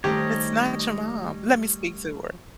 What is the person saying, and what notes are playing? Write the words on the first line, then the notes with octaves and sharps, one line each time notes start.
It's not your mom. Let me speak to her.
D#3 G3 A3 G4 C5 C#5 D#5 A#5